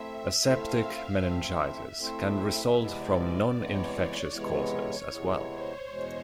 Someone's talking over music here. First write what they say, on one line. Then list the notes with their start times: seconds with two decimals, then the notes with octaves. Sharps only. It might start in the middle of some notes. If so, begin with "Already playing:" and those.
Aseptic meningitis can result from non-infectious causes as well.
Already playing: A3 C4 E4 A4 C5 E5
0.44 A3 C4 E4 A4 C5 F5
1.21 A3 C4 E4 A4 C5 E5
1.99 A3 C4 E4 A4 C5
2.77 C3 E3 G#3 B3 E4 D5
3.55 C3 E3 G#3 B3 E4 C#5
4.33 C3 E3 G#3 B3 E4
5.10 C3 E3 G#3 B3 E4 C#5
5.49 C5
5.88 E2 B2 G#3